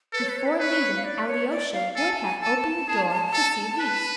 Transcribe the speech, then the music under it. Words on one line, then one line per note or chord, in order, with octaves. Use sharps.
Before leaving, Alyosha would have opened the door to see Lise.
A4 B4
C#5
B4
C#5
B4
B4 C#5
F5
D5
C#5
D5
F5
A4 G#5
A5
G#5
A4 A5
G#4
A4
B4